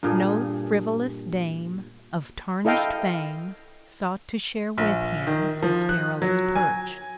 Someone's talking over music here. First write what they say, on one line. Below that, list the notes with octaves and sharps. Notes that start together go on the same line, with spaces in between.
No frivolous dame of tarnished fame sought to share with him his perilous perch.
G2 A#2 G#4 A4
E4 A4 D#5 F5 G5
A#1
D#3
F3
F#6
F#3
G#5